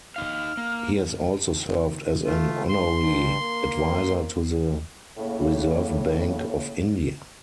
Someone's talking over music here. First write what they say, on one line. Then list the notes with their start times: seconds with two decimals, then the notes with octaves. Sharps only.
He has also served as an honorary advisor to the Reserve Bank of India.
0.16 D#4 F5 F6
0.57 A#3
2.26 A3 F4
2.69 G2 C6
3.01 G2
3.41 A#3
5.17 A2 C#3 A#3